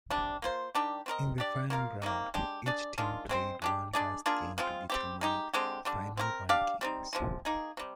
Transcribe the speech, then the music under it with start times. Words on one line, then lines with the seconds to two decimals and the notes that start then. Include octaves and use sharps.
In the final round, each team played one last game to determine final rankings.
0.10 C3 G3 D4
0.42 A#3 F4 C5
0.75 D#3 G3 D4 G4
1.06 C4 F4 A#4 D#5
1.38 D4 G4 D5
1.70 A#3 F4 A#4 F5
2.02 C3 D#3 G3 A#3
2.34 G#3 D4 G4
2.66 D4 G#4 D5
2.98 D#3 G#3 D4 F4
3.29 G#3 C4 F4 C5
3.62 G#3 D4 G4
3.93 G#3 D4 G#4 D5
4.26 A#3 D4 F4 G#4
4.58 F3 G#3 C4 F4
4.90 G3 C4 G4
5.21 G#3 D#4 G4
5.53 D3 G#3 C4 G4
5.85 D3 G3 D4
6.17 C4 G4 A#4
6.49 D4 G4 D5 F5
6.81 G3 C4 D#4
7.13 C3 F3 G#3
7.45 A#3 D#4 G#4
7.77 C3 G3